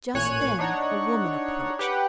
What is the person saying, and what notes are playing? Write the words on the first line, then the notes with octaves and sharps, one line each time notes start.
Just then a woman approached.
A1 A#2 C#5 G#5 F#6 D#7
D4 D#4 C#5 F#5
G4 B4 F#5 G5